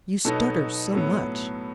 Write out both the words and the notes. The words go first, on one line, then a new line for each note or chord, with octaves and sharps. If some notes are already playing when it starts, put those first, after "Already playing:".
You stutter so much.
B2 F#3 B3 D#4 A4
A2 F#3 B3